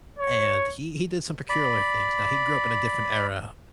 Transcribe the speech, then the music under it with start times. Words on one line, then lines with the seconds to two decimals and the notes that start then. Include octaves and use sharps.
and he he did some peculiar things. Now, he grew up in a different era,
0.19 C#5
1.49 D5 B5